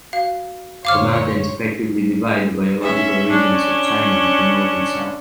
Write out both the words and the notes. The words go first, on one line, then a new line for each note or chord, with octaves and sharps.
The mountains effectively divide the biological regions of China into north and south.
F#4 F5
F#2 D3 C5 C#5 F5 D6 F6
C#4 E5
C#4 D4